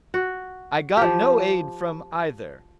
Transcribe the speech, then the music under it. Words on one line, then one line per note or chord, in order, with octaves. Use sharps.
I got no aid from either.
F#4
F3 G4